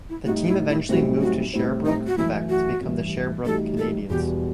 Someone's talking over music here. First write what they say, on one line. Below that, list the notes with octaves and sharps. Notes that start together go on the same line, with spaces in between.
The team eventually moved to Sherbrooke, Quebec to become the Sherbrooke Canadiens.
E4
A2 G3 D#4 F#4
E4
E4
B1 A2 G3 C4 D#4 F#4
F#4
A2 G3 C4 E4
D#4
F#4
F#2 E3 A3 E4
F#4
A1 G2 E3
A1 A2 G3 D#4 F#4 A4
A4
E2 B2 G3 G4